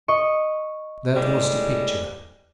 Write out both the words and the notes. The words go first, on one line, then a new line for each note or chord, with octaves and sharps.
That was the picture!
D#5 C#6
A2 G3 G#3